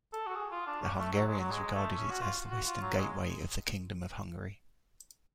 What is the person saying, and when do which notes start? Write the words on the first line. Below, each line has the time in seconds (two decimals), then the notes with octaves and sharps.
The Hungarians regarded it as the western gateway of the Kingdom of Hungary.
0.13 A4
0.27 F#4
0.36 G#4
0.52 F4
0.67 D4
0.82 C#4
0.98 A3
1.13 F#3
1.28 G#3
1.40 F#3
1.51 G#3
1.63 G#3
1.74 A3
1.97 C#4
2.11 F#4
2.21 F4
2.51 F#4
2.66 F4
2.82 F#3
2.98 G#3